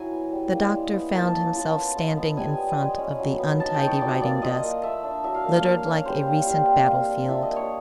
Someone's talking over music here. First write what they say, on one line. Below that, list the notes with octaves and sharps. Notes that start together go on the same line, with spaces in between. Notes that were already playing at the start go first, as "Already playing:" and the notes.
The doctor found himself standing in front of the untidy writing desk, littered like a recent battlefield.
Already playing: F#3 E4 G#5
B3
G3
A#3
G#3
B3
A#3 A5
C#4
F4 A5
B3
G#3
B3
G3 G#5
B3
G#3
C#4
F#3
B3
D#4 A5
G5
D#4
C#5
F#3 D5
A#3 D5
F4 D#5
A#3
A3 E5
D4
F#3 E5
F5
A#3
F5
A#3 F5
C#4
G3 C5
C4
G3 F5
C4
A#3
D4
F4 E5
D#5
A#3
C#5